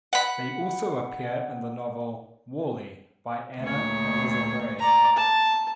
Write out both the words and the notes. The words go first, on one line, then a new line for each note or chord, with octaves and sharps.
They also appear in the novel "Warleigh" by Anna Eliza Bray.
F#5 B5
D2 A#2 C#5
D5 A#5
A5